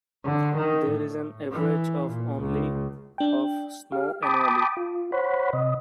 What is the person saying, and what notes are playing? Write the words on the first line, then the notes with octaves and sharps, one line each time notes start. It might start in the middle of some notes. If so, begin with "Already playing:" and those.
There is an average of only of snow annually.
D3
D#3
A2
E3
A#2
C#2
D4 G5
G4 F5
G5 A5 B5 D6 D#6
F4
C5 C#5 F#5 B5
C3 D#5